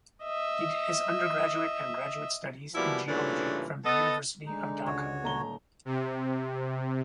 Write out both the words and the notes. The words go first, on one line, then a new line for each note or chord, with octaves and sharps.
He did his undergraduate and graduate studies in geology from the University of Dhaka.
D#5 E5
B2 E3 F3 G3 A#3 E4
G2 A#2 C#3 E3 A3 D4
B3 A4 D#5
D3 G#3 D#4
C#2 F#4 C#5
D#1 A#5 G7
C3